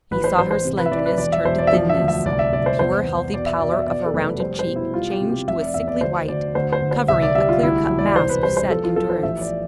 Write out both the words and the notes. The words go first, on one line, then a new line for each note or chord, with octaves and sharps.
He saw her slenderness turn to thinness, the pure, healthy pallor of her rounded cheek change to a sickly white, covering a clear-cut mask of set endurance.
A1 B4
C5
A1 C5
C5
C3
B4
E5
E3 D5
B4
E1 D5
E5
E1 C5
D5
E5
F3 D5
E5
D2
E5
C2 D5
E5
C2 D5
C5
E2 C5
E2
B2 D5
E5
B2 D5
E5
B2 D5
A4
F1 B4
G3 C5
C5
B2
E4
G3 F4
G4
C3
G4
F1 E5
D5
E2 E5
D5
D2 C5
D2 D5
D2 C5
C5
D2
C5
C2 E5
D5
G3 E5
F4
D2 E4
E1
D5
C2 C5
B4
G3 C5
C5
F3 A4
F4
F3 A4
C5
A1 E5
D5